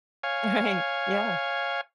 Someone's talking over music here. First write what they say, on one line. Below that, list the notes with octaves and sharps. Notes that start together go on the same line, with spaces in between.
Right. Yeah.
C#5 F5 G#5